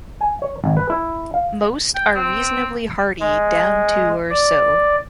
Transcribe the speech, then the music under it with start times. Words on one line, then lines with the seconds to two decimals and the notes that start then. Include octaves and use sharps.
Most are reasonably hardy down to or so.
0.21 G#5
0.42 C#5
0.64 G#1
0.77 B4
0.90 E4
1.34 F5
1.95 G5
2.15 C4
3.20 G#3
4.30 D5